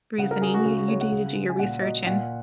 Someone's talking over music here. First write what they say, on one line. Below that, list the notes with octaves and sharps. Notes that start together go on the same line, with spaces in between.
reasoning, you you do need to do your research, and
C#3 F#5
A#4
F#3 G#4
F#4
C#3 F#4
F#4
G#3 C#5
F#5
C#3
G#3
G#5
A#2 F#5
F#3 D#5
A#2 F#5